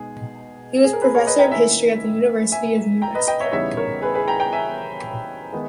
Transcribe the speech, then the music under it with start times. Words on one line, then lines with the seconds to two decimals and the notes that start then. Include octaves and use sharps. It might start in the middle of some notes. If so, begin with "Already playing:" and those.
He was professor of history at the University of New Mexico.
Already playing: B2 G#3 D#4 G#4
0.84 G#4
0.93 A#4
1.02 G#4 B4
1.15 A#4 C#5
1.27 B4 D#5
1.39 G5 A#5
1.51 D#3 A#3 C#4 E4 E5 G#5
2.52 E5 G#5
3.02 G5 A#5
3.15 B4 D#5
3.28 D#5 G5
3.40 C#5 E5
3.52 E2 C#3 G3 B3 D#4 C#5 E5
3.77 A#4 C#5
4.02 G#4 B4
4.14 G#4 B4
4.28 G5 A#5
4.40 G5 A#5
4.53 E5 G#5
5.52 D#3 G#3 B3 D#4